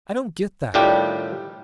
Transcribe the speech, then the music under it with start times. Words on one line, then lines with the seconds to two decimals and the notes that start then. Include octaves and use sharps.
"I don't get that."
0.74 A2 D#3 G3 D4 F4 G4